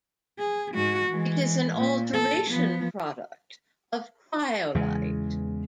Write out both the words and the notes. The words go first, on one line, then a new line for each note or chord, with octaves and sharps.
It is an alteration product of cryolite.
G#4
G#2 F#4
E3 G#3
A#2
A4
F3 B3
E2 C#3 G#3